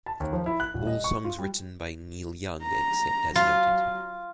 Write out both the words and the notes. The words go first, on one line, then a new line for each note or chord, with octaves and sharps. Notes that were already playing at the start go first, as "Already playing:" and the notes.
All songs written by Neil Young except as noted.
A5
D#2
F3
E4
F#6
D#1
D#5
C#6
F4
G3
A#5
F#3 F4